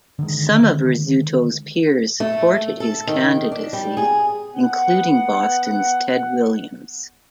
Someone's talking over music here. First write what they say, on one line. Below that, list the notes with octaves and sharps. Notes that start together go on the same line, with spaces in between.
Some of Rizzuto's peers supported his candidacy, including Boston's Ted Williams.
D3 D#3 G#3
A3
A4
D#3
D4
G3
G#4
B3 F#5